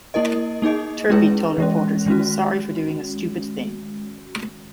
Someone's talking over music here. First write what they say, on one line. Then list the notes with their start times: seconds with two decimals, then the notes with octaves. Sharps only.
Turpie told reporters he was sorry for doing a "stupid thing".
0.14 A#3 E4 A#4 D#5
0.62 A#3 D#4 G#4 D#5
1.10 G#3 C#4 E4 G#4 B4
1.58 E3 G#3 C#4
2.06 D#3 G#3 C#4 F#4